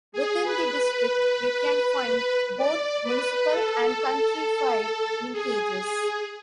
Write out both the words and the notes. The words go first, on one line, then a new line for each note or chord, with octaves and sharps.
Within the district you can find both municipal and countrified mintages.
G#4
B4
D5
B4
A4
G#4